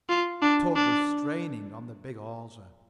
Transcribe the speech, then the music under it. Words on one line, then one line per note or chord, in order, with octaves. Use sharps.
The tug was straining on the big hawser.
F4
D4
D4